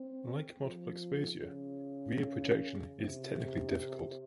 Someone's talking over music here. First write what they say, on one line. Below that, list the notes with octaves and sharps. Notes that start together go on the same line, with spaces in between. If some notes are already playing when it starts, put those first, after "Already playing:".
Like multiple exposure, rear projection is technically difficult.
Already playing: C4
F3
C#3
C3